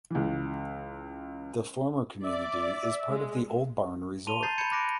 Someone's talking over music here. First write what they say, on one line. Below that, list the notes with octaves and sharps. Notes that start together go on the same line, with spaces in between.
The former community is part of the Old Barn Resort.
C#2 E3
D5 E5
G#3
A5 C6 D#7 F7 G7
A#5 G6 A6 C7
B5 G6 G#6 C#7 E7
B5 D6 F#6 A#6 C#7 D7